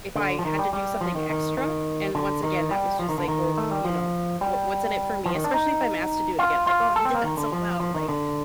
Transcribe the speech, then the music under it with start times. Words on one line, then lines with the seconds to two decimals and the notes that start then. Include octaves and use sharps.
if I had to do something extra, and once again, that was just like, well, you know, wha what's in it for me? Especially if I'm asked to do it again. Like, "Oh, you did that so well," like,
0.16 D3
0.39 F3
0.45 D#3
0.59 G3
0.73 G3
1.01 F3
1.15 D#3
1.30 D#3
1.58 D#3
2.15 D3
2.43 D#3
2.71 G3
2.99 F3
3.09 D#3
3.18 D3
3.28 D#3
3.58 A3
3.71 G3
3.85 F3
4.41 G3
5.26 F3
5.35 D#3
5.44 D4
5.54 D#4
6.39 F4
6.67 F4
6.96 A4
7.05 C4
7.15 A#3
7.23 D#3
7.37 D3
7.52 F3
7.80 F3
7.95 D#3
8.08 D3